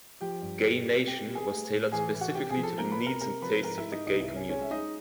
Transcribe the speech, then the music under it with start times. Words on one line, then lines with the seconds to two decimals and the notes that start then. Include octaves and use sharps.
"Gay Nation" was tailored specifically to the needs and tastes of the Gay Community.
0.21 F3 G4 G5
0.42 G2
0.64 G3
0.85 C3
1.06 B2 G4 G5
1.28 G3
1.35 G#4 G#5
1.49 A3
1.72 A2
1.92 E3 G#4 G#5
2.14 E3
2.20 F#4 F#5
2.35 C3 G4 G5
2.50 G#4 G#5
2.57 F3
2.63 A4 A5
2.78 A#3 A#4 A#5
2.92 B4 B5
3.00 B2
3.06 A#4 A#5
3.21 C3 A#4 A#5
3.42 F3 B4 B5
3.63 G#2 A#4 A#5
3.77 E4 E5
3.85 G#2
3.92 D#4 D#5
4.06 C2 D#4 D#5
4.21 E4 E5
4.28 C2
4.35 C#4 C#5
4.49 G#3 C#4 C#5
4.62 E5
4.71 G#3 D#4 D#5